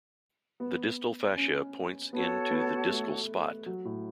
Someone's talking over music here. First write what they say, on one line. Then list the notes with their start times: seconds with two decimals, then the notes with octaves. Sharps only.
The distal fascia points in to the discal spot.
0.60 B3
1.36 C#4
2.12 B3 F#4 A4 C#5 A5
2.51 B3
2.90 A3
3.66 F#3
3.85 A2